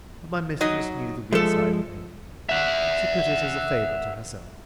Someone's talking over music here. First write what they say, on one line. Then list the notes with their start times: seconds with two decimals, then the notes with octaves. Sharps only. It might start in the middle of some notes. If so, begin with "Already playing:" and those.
But my mistress knew the weak side of me; she put it as a favour to herself.
0.61 F#3 D#4 D#5
1.33 F3 G#3 A3 A4
2.49 E5 F#5